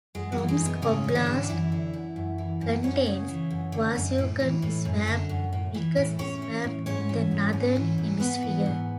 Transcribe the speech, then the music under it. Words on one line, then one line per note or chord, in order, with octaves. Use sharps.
Tomsk oblast contains Vasyugan Swamp, the biggest swamp in the northern hemisphere.
F#2 G#3
F#3
E3
G#3
F#2
B2 B3
G#2 C#3 C#4
E3 C#4
D3 D4
G#2
F#2 E3 E4
D3
F#2
F#2
E3
F#2
F#2 C#4 C#5
C#3
E3
F#2
D3
F#2
A2
E3
A2
F#2
D3
F#2
A2
E3
A2
A2 C#4 C#5
E3
A2
G#2 C#4 C#5
E3
G#2
G#2
E3
G#2
G#2 B3 B4
E3
G#2